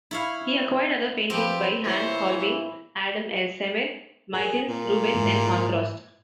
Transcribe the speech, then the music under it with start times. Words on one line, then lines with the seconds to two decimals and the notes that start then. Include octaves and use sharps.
He acquired other paintings by Hans Holbein, Adam Elsheimer, Mytens, Rubens, and Honthorst.
0.11 E4 C#5 F5
1.30 F3 C4 G4 B4
1.84 A#2 E3 E4 C5 C#5
4.33 G#4 A#4
4.68 A#2
5.14 G#2 E3